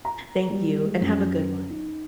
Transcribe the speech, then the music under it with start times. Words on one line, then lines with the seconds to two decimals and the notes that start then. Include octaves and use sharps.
Thank you, and have a good one.
0.05 A#5
0.50 G3
0.85 G#3
1.01 F#2
1.70 D#4